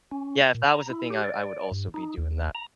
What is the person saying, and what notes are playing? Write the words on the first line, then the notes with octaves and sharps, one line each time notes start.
Yeah, if that was the thing, I would I would also be doing that,
C#4
A#2
A#5
E4
G4
D5
G2
D#4
D#2
A#5